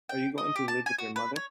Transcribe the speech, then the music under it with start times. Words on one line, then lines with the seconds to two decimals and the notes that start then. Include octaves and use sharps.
Are you going to live with your mother?
0.09 G5
0.38 D#5
0.56 G4
0.68 A5
0.86 G#5
0.98 F#4
1.16 B4
1.36 C#5